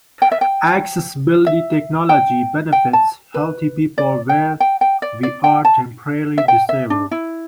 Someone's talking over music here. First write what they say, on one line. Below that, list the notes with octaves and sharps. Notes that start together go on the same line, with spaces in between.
Accessibility technology benefits healthy people, where we are temporarily disabled.
G5
E5
G5
E5
G5
G5
A5
B4
D5
G5
G5
G5
D5
D5
G5
A5
E5
G5
E5
D4
E4